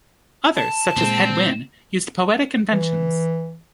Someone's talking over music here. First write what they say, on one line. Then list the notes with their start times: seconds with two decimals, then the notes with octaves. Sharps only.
Others, such as Hedd Wyn, used poetic inventions.
0.55 A5
0.97 A#2 G#3 C4
2.72 E3